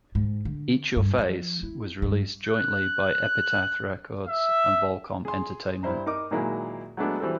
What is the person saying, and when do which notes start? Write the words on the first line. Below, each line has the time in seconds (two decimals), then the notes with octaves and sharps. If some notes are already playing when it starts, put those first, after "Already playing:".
"Eat Your Face" was released jointly by Epitaph Records and Volcom Entertainment.
0.15 G#2
0.45 D3
0.96 G2
1.18 F3
1.63 E4
2.02 G2
2.46 F#6
4.27 E5
5.25 G#4 C6
5.83 G2 E4 C5 A#5
6.06 D#4 A#4 D6
6.31 A#2 D#3 F#3 G#3 A#3 E4
6.97 F#3 G#3 A3 B3 D4
7.20 E3 G3 C4 F#4 A4